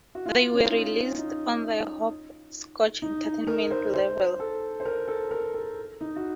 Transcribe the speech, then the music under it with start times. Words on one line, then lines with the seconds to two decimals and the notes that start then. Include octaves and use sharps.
They were released on the Hopscotch Entertainment label.
0.15 F#4
0.26 F4
0.54 C#4
0.63 D#4
0.71 F4
1.17 D#4
3.02 D#4
3.24 D#4
3.47 A#4
3.70 C5
3.94 C5
4.40 A4
4.80 C5
4.85 A#4
5.08 A4
5.31 A#4
5.54 A4
6.01 D#4
6.16 F#4